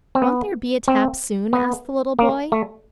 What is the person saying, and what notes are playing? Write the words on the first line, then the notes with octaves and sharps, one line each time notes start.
"Won't there be a tap soon?" asked the little boy.
C4
B3
C4
B3
A#3
A3